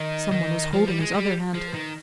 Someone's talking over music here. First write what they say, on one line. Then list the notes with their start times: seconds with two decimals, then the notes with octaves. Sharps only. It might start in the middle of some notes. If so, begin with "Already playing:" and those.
Someone was holding his other hand.
Already playing: D#3 D#5
0.32 D#3
0.73 F3 C5
0.84 G3 B4
0.93 D#4
1.00 G#3 F4
1.13 G3 G4
1.24 G#4
1.54 F3 G#4
1.68 B4
1.75 D#3